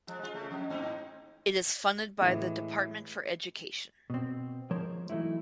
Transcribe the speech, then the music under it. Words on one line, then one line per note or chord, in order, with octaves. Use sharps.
It is funded by the Department for Education.
F3 G#3
G#3 F4
C#3 A3
F2
G#2 C4 D#4
A2 E3 G#3
B2 C4
F3 G#3 A#4 C5 C#5
E3 F#3 A3 D#4 E4